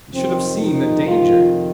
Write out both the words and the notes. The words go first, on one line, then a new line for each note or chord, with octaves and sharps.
"You should have seen the danger."
F2 C3 D#3 C4
D#4
F4